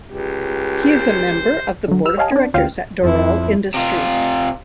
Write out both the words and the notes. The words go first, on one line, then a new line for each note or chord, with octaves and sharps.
He is a member of the Board of Directors at Dorel Industries.
C#2 G4
C5
D3 F#3
G4 B4 E6 F6
G4 C#5 D#5 F5 G#5 A5
C4 D4
D2 C#4 F4 F5 G5
F2 E4
C3 F4